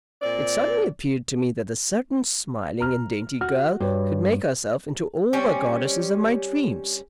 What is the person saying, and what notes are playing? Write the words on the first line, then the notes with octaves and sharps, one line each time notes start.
It suddenly appeared to me that a certain smiling and dainty girl could make herself into all the goddesses of my dreams.
A#2 C4 D5
A#5 F6
F#4 F6
G2 F#4 B4 C#5
G3 C4 C#4